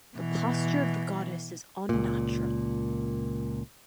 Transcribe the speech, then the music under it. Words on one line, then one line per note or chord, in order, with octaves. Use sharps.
The posture of the goddesses is unnatural.
B2 E3
C#2 A#2